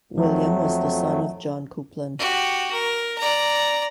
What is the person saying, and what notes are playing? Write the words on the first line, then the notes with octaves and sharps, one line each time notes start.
William was the son of John Coupland.
F2 F3 F#3 A3
F#4 G4
A#4
D5 A#5